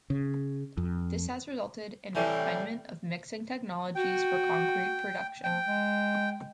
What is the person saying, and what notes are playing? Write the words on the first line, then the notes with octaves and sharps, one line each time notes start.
This has resulted in refinement of mixing technologies for concrete production.
C#3
F2
A2 C3 E3 G3
F#4 G5
F3 G5
G#3